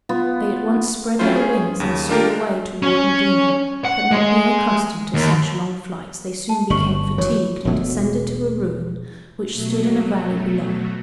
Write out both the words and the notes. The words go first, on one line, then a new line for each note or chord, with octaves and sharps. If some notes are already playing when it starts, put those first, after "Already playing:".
They at once spread their wings and soared away toward Medina, but not being accustomed to such long flights, they soon became fatigued and descended to a ruin which stood in a valley below.
B3 F4
F#3 A3 C#4 E4 F4 C5
C#4 G#4
D#2 C#3
A#3 D4 F4 G4 A#4
C#4
F#5
G#3
D#2
A5
G1 C#3 C#6 F#7
E3 F#3 C#5
E1 B2 A3
G#4
B2 F#3 A3